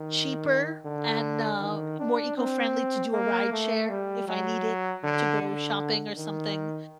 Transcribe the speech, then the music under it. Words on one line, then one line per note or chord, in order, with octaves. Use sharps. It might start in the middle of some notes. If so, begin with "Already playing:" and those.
Cheaper and, uh, more eco-friendly to do a rideshare if I needed to go shopping or something,
Already playing: D#3
D3
D#3
D4
C4
A#3
A3
G3
F#3
D3
D3
D#3